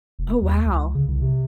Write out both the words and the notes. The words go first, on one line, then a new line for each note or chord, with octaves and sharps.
Oh, wow.
F1
D#2
C#2
C#3
C2
C3